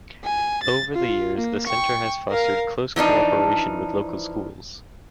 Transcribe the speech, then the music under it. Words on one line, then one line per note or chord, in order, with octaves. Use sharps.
Over the years the center has fostered close cooperation with local schools.
G#5
A6
F4
A#3
G5 C#6
A#4 F5
E3 F3 D4 D#4